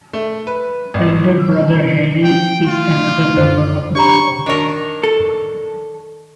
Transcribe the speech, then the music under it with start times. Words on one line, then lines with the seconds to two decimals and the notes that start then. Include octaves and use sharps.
Elder brother Harry is another member of both Halls.
0.13 A3
0.47 B4
0.94 G#1
2.24 F3 G5
2.67 A3 F4
3.37 F#2 D3 C5
3.95 D4 G4 D5 A#5 B5 C#6
4.46 D#3 D4 A#4 C#5
5.03 A4